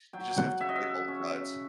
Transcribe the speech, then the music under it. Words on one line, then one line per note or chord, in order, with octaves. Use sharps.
you just have to play both sides.
F#3 G5
G5
F#5
C#3 E5
D#5
E5
C#4